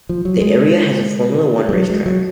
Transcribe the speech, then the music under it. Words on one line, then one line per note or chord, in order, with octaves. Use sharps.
The area has a Formula One racetrack.
F3
F#3
G#3
G#3
F#3
G#3
F#3